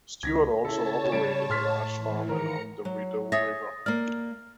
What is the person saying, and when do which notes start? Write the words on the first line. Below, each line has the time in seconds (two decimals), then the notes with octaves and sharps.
Stewart also operated a large farm along the Rideau River.
0.23 C#2 G#6 A#6 B6
0.65 C#3 E4 A4 C#5 A5
1.12 G3 D7
1.50 A2 C6 F6 B6
1.96 E3
2.29 D#3 A#4 A#5 C#7
2.85 F#3
3.32 G#4 C#5 E5 D#6 A6 A#6
3.86 A#3 D5 F6